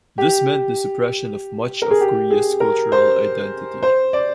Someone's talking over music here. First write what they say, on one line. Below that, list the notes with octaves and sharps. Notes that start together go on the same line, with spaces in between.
This meant the suppression of much of Korea's cultural identity.
G4
A#4
G#4
G4
G#4
A#4
C5
C5
D5